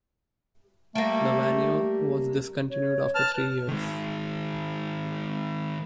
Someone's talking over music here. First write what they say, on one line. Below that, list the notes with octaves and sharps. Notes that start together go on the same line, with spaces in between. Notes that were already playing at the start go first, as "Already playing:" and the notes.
The Vaneo was discontinued after three years.
G3 A3 A#3
C#5
B4 A5 F6
D#3 G#3